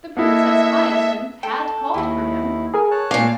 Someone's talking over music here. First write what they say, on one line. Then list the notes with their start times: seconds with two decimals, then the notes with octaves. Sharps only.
The Princess Hyacinth had called for him.
0.17 A#3 E4 A4 D#5 E5 F#5
1.43 A4 G5
1.94 D#2 A3 E4 F#4
2.74 G#4 A#4 G#5
2.91 C#5 A5 F#6
3.11 A#2 D5 F5